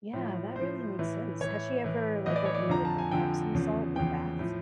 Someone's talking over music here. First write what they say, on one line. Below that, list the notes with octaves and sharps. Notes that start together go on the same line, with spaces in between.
Yeah that really makes sense. Has she ever, like, recommended, like, Epsom salt in baths?
A2 F3
A2 F3 C5
A2 E3
A2 E3 C#5
A2 E3
A2 E3 D#5
D5
C#5
D5
F2 D3 F3 A#5
A5
G#5
F2 D3 F3 G5
E2 C#3 F3
E2 C#3 F3 G5
A2 F3